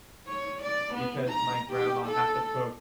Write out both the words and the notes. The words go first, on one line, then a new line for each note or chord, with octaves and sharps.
because my grandma has to cook
C#5
D5
B3
A#5
G4
A4